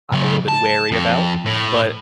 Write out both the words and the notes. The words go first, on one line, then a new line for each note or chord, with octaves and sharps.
I'm a little bit wary about, but
C#3 F#3
A5
F2
A2